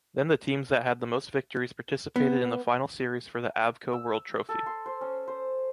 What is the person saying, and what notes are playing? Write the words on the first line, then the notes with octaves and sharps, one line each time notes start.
Then the teams that had the most victories participated in the final series for the Avco World Trophy.
B3
E6
A4
C6
C5
C#4
C5